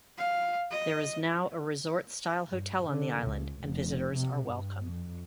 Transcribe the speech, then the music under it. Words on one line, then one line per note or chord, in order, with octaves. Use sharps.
There is now a resort style hotel on the island and visitors are welcome.
F5
D#5
G2
D3
C#2
F1
C3
G2
F2